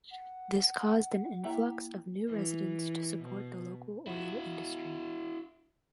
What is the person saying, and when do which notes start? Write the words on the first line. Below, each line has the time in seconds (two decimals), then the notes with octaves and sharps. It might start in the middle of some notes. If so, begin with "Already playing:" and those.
This caused an influx of new residents to support the local oil industry.
0.11 F#5
1.44 A#3 E4 G4 E5 A#5
2.27 E3
3.22 B2
4.07 E4 F#4